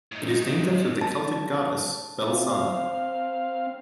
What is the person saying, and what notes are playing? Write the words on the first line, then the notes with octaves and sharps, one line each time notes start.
It is named after the Celtic goddess Belisana.
A2 D#4
A5
C4 F4
C4 F5